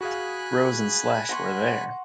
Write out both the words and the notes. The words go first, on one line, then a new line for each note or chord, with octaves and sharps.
Rose and Slash were there.
F#4 G#4 F5 G#5 B5 F#6
F#5 C6 C#6 A#6